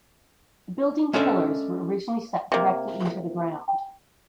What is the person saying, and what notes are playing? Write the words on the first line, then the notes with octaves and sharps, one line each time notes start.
The building pillars were originally set directly into the ground.
G#3 C#4 D4 A4 D5 E5
C3 A#3